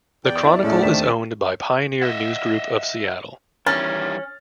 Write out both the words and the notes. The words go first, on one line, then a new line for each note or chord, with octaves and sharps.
The "Chronicle" is owned by Pioneer News Group of Seattle.
E2 D5 G5
E4
A2 G#3 A3 C#4 A4
D#2 D#3 C4 D4 A5 B6
D#5 E5 F#5
D#3 E3 G3 C#4 F6 A6